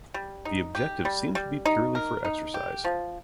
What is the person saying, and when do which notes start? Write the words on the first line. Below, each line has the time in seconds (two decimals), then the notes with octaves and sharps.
The objective seems to be purely for exercise.
0.14 G3
0.45 D#4
0.75 G4
1.05 G3
1.35 G3
1.65 D#4
1.95 A#4
2.25 D#4
2.54 G4
2.84 F3